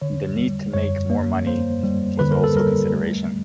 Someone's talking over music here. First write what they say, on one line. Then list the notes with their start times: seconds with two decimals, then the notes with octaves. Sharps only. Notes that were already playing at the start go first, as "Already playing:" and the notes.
The need to make more money was also a consideration.
0.02 D3 C#5
0.37 G3
0.73 F#2 C#5
1.10 A#3
1.46 A#3 C5
1.83 G3
2.19 D3 B4
2.32 A#4
2.44 A4
2.56 G3 A#4
2.93 A3